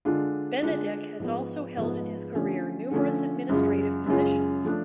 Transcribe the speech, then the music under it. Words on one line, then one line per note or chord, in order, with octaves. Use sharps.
Benedek has also held in his career numerous administrative positions.
D3 G#3 D4 F4
D3 G#3 D4 F4
G#2 F3 B3
G#2 F3 B3
D3 F3 A3 C#4
D3 F3 A3 C#4
F#2 C#3 G#3 C#4 F4
F#2 C#3 G#3 C#4 F4
F3 A3 D4